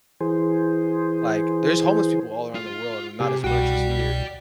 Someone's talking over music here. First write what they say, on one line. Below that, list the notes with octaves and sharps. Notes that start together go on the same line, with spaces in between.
Like, there's homeless people all around the world and not as much as here,
E3 G#4 C5
F4
C3 G4 G#4
C2 B2 F#4 D5 G5